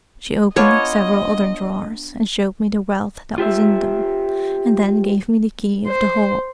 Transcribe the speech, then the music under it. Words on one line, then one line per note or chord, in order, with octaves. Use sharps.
She opened several other drawers, and showed me the wealth that was in them, and then gave me the key of the whole.
B3 D4 F4 C#5 D#5
F4 G4 C5 E5
C5